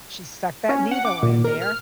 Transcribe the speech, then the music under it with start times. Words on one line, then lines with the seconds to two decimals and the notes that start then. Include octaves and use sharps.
she stuck that needle in there.
0.69 C#4
0.91 F#5
1.05 D6
1.23 A#2
1.44 A#4
1.62 F6